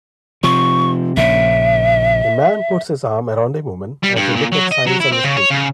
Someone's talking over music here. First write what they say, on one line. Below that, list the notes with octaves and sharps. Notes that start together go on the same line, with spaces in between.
A man puts his arm around a woman as they look at signs on the street.
C3 F3 C#6
A#1 C#3 E5
G3
G2
A#2
F#3
D#5
F#3
E4
C4
C#3
C#5
C#3